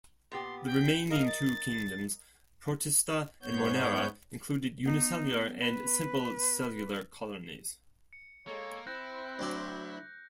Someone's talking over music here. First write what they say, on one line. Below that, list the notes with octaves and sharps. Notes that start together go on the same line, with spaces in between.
The remaining two kingdoms, Protista and Monera, included unicellular and simple cellular colonies.
A#2 B3 G4 C6
G5
A#4 D#5 F5
A6
G#2 B3 C#5 G6
B3 D#4
B4
C#7
G#3 A#3 A4 C#5
C4 E4 F#6 G6 A#6
D2 F#3 D5